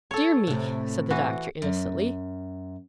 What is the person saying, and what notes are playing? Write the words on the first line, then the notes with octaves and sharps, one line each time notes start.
'Dear me!' said the Doctor, innocently.
A4 C#5
A2 C3
E3 F#4
F#2